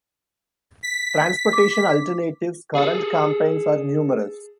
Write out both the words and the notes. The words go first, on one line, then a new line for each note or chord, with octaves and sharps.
Transportation Alternatives' current campaigns are numerous.
B6
D6
G#4 A4